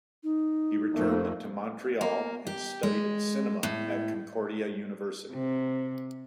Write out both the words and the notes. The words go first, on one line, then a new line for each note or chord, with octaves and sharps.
He returned to Montreal and studied cinema at Concordia University.
D#4
F2 A3 A#3
A#3
G4
G#3
A2
C3